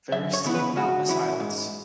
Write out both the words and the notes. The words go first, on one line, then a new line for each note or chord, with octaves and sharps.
Very steep mountainous islets.
F#2 E5
C#5
C#3 E3 B3 E4
B4
G#2 F#4
E3 C#4 E4
G#2